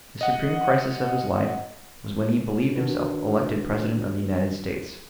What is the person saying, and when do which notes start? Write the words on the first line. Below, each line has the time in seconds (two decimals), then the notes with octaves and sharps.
The supreme crisis of his life was when he believed himself elected President of the United States.
0.21 D#5 F#5
2.76 D#3 D4 F#4 B4